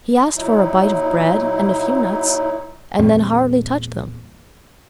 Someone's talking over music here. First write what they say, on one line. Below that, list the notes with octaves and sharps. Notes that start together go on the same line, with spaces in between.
He asked for a bite of bread and a few nuts and then hardly touched them.
A#2 F#3 D#4 E4
E2 A#2 G3 C4